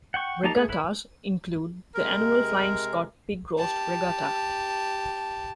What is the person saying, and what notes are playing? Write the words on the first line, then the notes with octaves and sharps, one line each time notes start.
Regattas include the Annual Flying Scot Pig Roast Regatta.
F#5 G5 C#6
A#3 D#4 G4 A5 A#5
A3 G#4
E4 B4 B5
C3 G#3 A#4
G4 A5